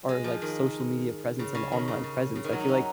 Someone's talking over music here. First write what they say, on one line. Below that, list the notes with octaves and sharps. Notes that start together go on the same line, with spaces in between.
our, like, social media presence and online presence, I feel like
G#3
F3
D#3
C#3
C#3
D#3
C#3
C#3
C#3
D#3
F#3
D#4
C#4